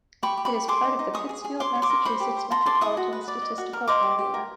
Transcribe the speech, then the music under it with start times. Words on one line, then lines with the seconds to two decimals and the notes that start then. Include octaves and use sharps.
It is part of the Pittsfield, Massachusetts Metropolitan Statistical Area.
0.23 G4 B5 C#6
0.37 G4
0.45 B5 C#6
0.54 G4
0.68 G#4 C6 D6
0.84 D#4
0.99 D#4
1.14 G#4 C#6 D#6
1.29 G#4
1.44 G#4
1.60 C#5 C6 D6
1.75 C#5
1.82 C6 D6
1.90 A#4
2.05 C5 B5 C#6
2.20 G4
2.36 C5
2.51 A4 A#5 C6
2.66 A4 C6 D6
2.81 E4 C#6 D#6
2.97 F#4
3.13 B4
3.28 D5
3.42 D#5
3.58 F#4
3.73 A#4
3.88 D#5 C6 D6
4.03 G4
4.19 G4
4.34 A#4